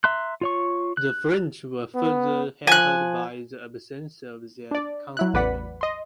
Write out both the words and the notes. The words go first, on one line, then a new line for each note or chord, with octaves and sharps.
The French were further hampered by the absence of their Constable.
E5 A#5 C6 F#6
F4 C#5 C#6
F#6
B3
F3 G#5 F#6
D4 D5
F#3 E4 F#6
A1 E2 B4 D5 F#5 B6
D#5 C6